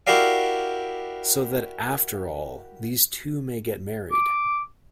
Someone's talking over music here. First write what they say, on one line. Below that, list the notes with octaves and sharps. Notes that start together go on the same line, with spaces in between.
So that after all these two may get married.
E4 F#4 G4 A#4 D5 F5
D6